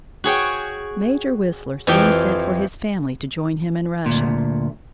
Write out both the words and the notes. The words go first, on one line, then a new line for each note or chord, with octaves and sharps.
Major Whistler soon sent for his family to join him in Russia.
F#4 G#4 C#5 G5
F2 E3 F3 G4 G5
D2 A#2